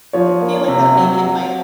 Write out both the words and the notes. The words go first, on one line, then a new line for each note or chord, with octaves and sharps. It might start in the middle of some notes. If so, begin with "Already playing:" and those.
feeling that maybe it might
F3 C#5
A#3
C3
F#3
F#3